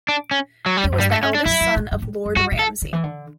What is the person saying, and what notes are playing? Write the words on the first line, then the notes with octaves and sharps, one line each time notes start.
He was the eldest son of Lord Ramsay.
D4
C#4
F#3
G3
E2
F#2
G2 G3
A3
C#4
D4
F#2 E4
F#2
A2
G2
A2
F#2
G2 F#4
A2
A4
D3
E3
D3